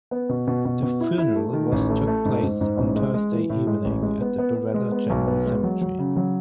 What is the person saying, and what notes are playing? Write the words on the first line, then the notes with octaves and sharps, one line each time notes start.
The funeral was took place on Thursday evening at the Borella General Cemetery.
B3
B2
B2
B2
B2
E4
E4
A3
D#3
A1
A3
A3
G#2
G#2
G#2
A1
G#3
G#3
E3
A2
G#3
A1
G#3
B3
B3
B3
G#3
B3
B1
B3
G#3
F#3
F#3
C#3
F#3